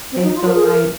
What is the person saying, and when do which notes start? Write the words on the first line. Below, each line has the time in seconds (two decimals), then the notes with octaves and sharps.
they feel like
0.11 C4
0.22 D#4
0.34 F4
0.45 A#4
0.54 G#4
0.63 A#4